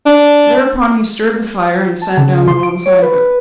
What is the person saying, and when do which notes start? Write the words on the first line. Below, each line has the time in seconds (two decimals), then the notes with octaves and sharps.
Thereupon he stirred the fire, and sat down on one side of it.
0.06 D4
2.02 A5
2.17 C#3
2.48 C6
2.63 D7
2.86 C#5
3.02 B4